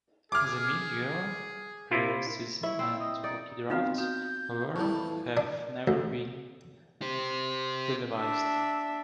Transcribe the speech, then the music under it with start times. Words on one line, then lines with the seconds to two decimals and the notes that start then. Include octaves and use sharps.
The mid-year, pre-season and rookie drafts, however have never been televised.
0.32 G#4 D6 F6
1.91 C3 E4 F4
2.63 E4 C#5 E5
2.79 C4 E5
3.00 D#5
3.24 D#4 D5
3.70 B3 C4 D#4 F4 F#4 F5
3.98 F#4 G6
4.76 F2 A2 E3 A5 C#6
5.37 D4
5.87 D2
7.02 G4 C5
8.15 D4 E5